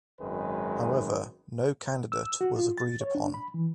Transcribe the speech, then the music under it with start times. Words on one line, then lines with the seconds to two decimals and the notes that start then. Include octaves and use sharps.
However, no candidate was agreed upon.
0.20 G#1 F#2 D#3 G#3 B4
2.12 E6
2.41 F#4
2.56 F4
2.78 A6
3.01 C#5
3.15 D4
3.34 B5
3.54 E3